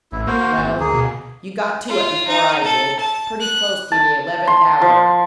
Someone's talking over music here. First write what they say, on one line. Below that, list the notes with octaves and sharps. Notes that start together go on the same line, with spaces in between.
Well, you got to it before I did--pretty close to the eleventh hour!
A1 E4
A#3 F#4 C5
G#1
D2 A#3 G#4
B2
F4
D#4
A4
A5
F#6
A5
C6
F3